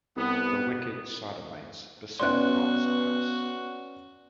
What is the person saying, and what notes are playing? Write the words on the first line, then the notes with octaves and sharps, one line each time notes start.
The wicked Sodomites beset Lot's house.
C2 B3
B3 C#4 F#4 B4 D5 C6 F#6